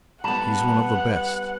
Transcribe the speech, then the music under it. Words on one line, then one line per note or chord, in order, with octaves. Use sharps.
"He's one of the best!"
G3 B3 F#5 A5 B5